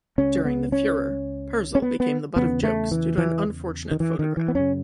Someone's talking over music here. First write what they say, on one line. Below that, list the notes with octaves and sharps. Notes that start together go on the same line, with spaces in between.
During the furor, Perzel became the butt of jokes due to an unfortunate photograph.
C#2 C#3 C#4
B3
C#4
C#4
B3
B3
E2 C#3 B3
A3
E3
E3
D#3
E3
D#3
E3
B3
F#2 C#3 C#4